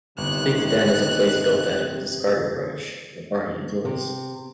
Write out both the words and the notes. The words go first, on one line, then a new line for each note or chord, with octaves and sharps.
Stig's den is a place built out of discarded rubbish, that Barney enjoys.
G1 C3 D#3 F#6
C3